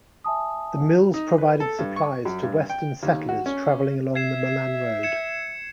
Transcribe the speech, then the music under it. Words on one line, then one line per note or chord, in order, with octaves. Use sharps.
The mills provided supplies to western settlers traveling along the Mullan Road.
E5 G#5 A5 D#6
D#4
B4
A4
G2
C#6
F#2
G2
G5
D#2
F#4
C#4
E5 G#6 C7 E7
G#6 C#7 E7